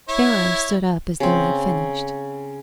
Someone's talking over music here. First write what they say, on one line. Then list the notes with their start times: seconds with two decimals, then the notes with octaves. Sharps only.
Pharaoh stood up as though he had finished.
0.09 E4 C#5
1.20 C#3 C4